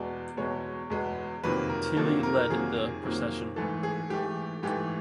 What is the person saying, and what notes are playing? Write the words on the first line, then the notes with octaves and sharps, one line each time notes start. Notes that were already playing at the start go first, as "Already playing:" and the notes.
Tillie led the procession.
Already playing: E2 B2 G#3 B3 D5
E2 B2 G#3 B3 C#5
E2 B2 G#3 B3
F2 C3 D#3 F#3 A#3 B4
A#4
F2 C3 D#3 F#3 A#3 A4
A#4
F2 C3 D#3 F#3 A#3 G#4
F2 C3 D#3 F#3 A#3
G#2 E3 A3 A4
G#4
G#2 E3 A3 G4
G#2 E3 A3 G4